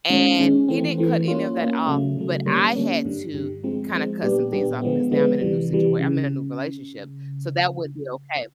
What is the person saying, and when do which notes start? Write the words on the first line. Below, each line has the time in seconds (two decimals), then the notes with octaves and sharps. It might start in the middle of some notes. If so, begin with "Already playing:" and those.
And he didn't cut any of that off, but I had to kinda cut some things off because now I'm in a new situat I'm in a new relationship. So that wouldn't be okay.
0.10 D#3 G#3 C#4
0.39 D#3 G#3 C#4
0.68 E3 A3 C4
0.98 E3 A3 C4
1.28 A#3 C#4 F4
1.57 A#3 C#4 F4
1.87 C#3 F#3 A3
2.17 C#3 F#3 A3
2.46 D3 G3 A#3 C#4
2.76 D3 G3 A#3 C#4
3.05 G2 D3 G3
3.34 G2 D3 G3
3.64 F3 G#3 C4
3.93 F3 G#3 C4
4.23 A#2 G3 B3 D4 G4
4.52 A#2 G3 B3 D4 G4
4.82 D3 F3 G#3 B3
5.11 D3 F3 G#3 B3
5.41 C3 E3 G3
5.70 C3 E3 G3
5.99 C#3